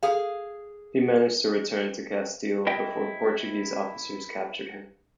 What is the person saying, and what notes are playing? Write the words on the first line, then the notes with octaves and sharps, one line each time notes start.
He managed to return to Castile before Portuguese officers captured him.
G#4 F5
E4 D#5 G5